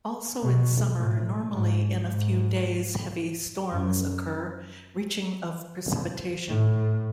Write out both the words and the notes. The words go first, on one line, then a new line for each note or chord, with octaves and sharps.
Also in summer, normally in a few days heavy storms occur, reaching of precipitation.
B2
A2
G#2
G#2
F#2
A2